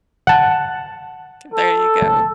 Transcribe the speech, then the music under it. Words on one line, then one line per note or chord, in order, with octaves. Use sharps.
There you go.
F#5 A5
A4